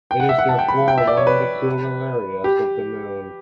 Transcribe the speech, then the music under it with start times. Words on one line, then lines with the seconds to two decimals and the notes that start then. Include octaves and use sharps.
It is therefore one of the cooler areas of the Moon.
0.11 G5
0.20 F#5
0.29 E5
0.39 F#5
0.49 A5
0.59 G5
0.68 B5
0.88 G5
0.98 E5
1.07 D5
1.17 C#5
1.27 B4
2.44 G4